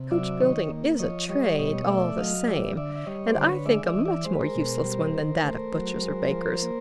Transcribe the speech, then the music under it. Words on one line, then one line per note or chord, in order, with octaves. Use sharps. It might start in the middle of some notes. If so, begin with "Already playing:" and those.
Coach-building is a trade all the same, and I think a much more useless one than that of butchers or bakers.
Already playing: C3
F#3 D5 E5
D#3 C#5 D#5
A#3
F3 C#5 D#5
G3 C#5 D#5
B2 C#5 D#5
A3 D5 E5
F#3 D#5 F5
G3 D5 E5
D3 D5 E5
E5
G3 C#5 D#5
C5 D5
D3
B4 C#5
G#3 D5 E5
D5 E5
E3 D#5
D5 E5
G#3 C5
B4
A#4 C5
B2
G3
D#3
A3 A#4 C5
F#3
G#3
F3
A#3